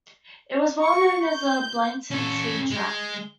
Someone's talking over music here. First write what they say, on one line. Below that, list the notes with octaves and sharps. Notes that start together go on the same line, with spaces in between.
It was well known as a blatant speed trap.
C#6
G6
C#4 A4
G#3